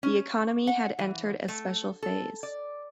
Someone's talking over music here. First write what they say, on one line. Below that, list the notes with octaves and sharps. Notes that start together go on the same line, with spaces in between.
The economy had entered a special phase.
C#4
F#5
E3
A3
A4
D5